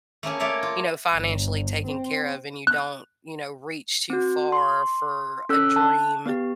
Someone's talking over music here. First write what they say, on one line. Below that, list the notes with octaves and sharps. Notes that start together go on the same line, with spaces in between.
you know, financially taken care of and you don't, you know, reach too far for a dream,
A3 A#3 C#4 G#4
A3 A#3 C#5 D5 E5 F5
F4
G1
C4
F#6
C4 F#4
C6
C#4 A4 E6 F#6
A5 F#6
B3 G4